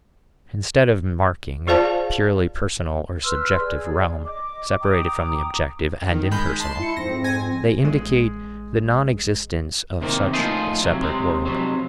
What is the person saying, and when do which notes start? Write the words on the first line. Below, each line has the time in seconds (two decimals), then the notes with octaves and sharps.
Instead of marking a purely personal or subjective realm, separated from the objective and impersonal, they indicate the non-existence of such a separate world.
1.67 F4 G#4 C5 D5 F5 A5
3.23 B4 C6 E6 F6
3.59 G#4 D5
4.25 D#5 D6
4.81 G5 A#5 D6 D#6
6.11 D#3
6.31 G#3 B5 G6
6.60 A5 C6
6.79 E4 C#7
6.97 F2 G#2 C4 A#6
7.24 G#5 A#6
7.84 A1 G#3
10.01 C3 D#3 A#3
10.34 A2 F3 D#4 F4 G#4
10.84 C3 F#3
11.02 C3 G#3
11.46 F2 C3 F#3